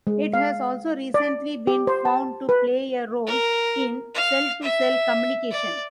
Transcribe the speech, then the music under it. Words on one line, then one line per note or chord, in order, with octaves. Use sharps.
It has also recently been found to play a role in cell-to-cell communication.
G#3
F5
D5
G4
C5
A5
B4
A#4
F5
E5
D5